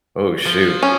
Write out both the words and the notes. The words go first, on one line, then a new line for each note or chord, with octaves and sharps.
oh, shoot.
F3
C#4